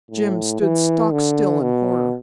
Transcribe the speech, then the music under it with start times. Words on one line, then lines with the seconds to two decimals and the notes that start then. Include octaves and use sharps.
Jim stood stock still in horror.
0.10 A2
0.60 E3
1.12 D3
1.63 B2